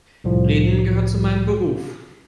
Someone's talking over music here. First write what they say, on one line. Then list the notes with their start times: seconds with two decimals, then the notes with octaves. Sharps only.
Reden gehört zu meinem Beruf.
0.24 C2 A2 F3